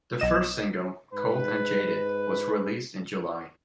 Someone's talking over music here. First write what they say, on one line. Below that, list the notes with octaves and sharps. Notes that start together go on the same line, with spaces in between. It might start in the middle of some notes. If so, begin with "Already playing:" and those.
The first single, "Cold and Jaded," was released in July.
B1 D#5 E7
G#2 B4